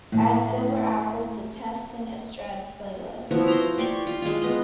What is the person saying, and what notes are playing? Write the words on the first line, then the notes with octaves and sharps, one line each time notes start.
Add silver apples to teh sin estrés playlist.
A2
F3 B3 E4 F#4
C5 A#5
G4 D5 C6 C#6
F4
G#3 F4
B3 D#5